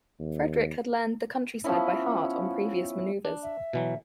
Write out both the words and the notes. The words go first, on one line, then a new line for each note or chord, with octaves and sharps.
Frederick had learned the countryside by heart on previous maneuvers.
D#2
F3 B3 C#4 E4
D4
E5
B2 E3 F#3